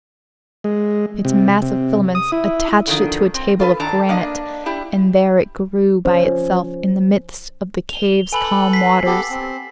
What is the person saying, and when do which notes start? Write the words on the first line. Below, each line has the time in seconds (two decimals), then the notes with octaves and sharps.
Its mass of filaments attached it to a table of granite, and there it grew by itself in the midst of the cave's calm waters.
0.64 G#3
1.25 C3
1.62 C3
2.15 D#6
2.32 E4
2.87 D3 D#3 F3
3.34 C4
3.60 F4 A4 B4
3.80 D#3 D4 A4 A5 A#5
4.09 A#3 D4 D#5 F5
4.66 D4 E4 G4
6.05 F3 C#4 C5
7.89 F7 G7
8.33 A4 B4 G#5 B5 F#7
8.73 B6 C7
9.06 B3 G4 A4
9.30 C4